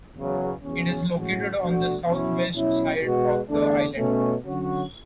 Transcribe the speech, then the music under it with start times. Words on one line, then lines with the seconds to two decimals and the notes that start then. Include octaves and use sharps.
It is located on the southwest side of the island.
0.16 E2 C#3 F#3
0.63 E2 C#3 F#3 C#4
1.11 A2 G#3 C#4 F#4
1.58 B2 A3 D4 F#4
2.05 B2 F#3 C#4 E4
2.54 B2 F#3 C#4 E4
3.01 B2 G#3 B3 F#4
3.48 E2 D3 A3 D4
3.97 B2 A3 C#4
4.44 D3 F#3 C#4 F#4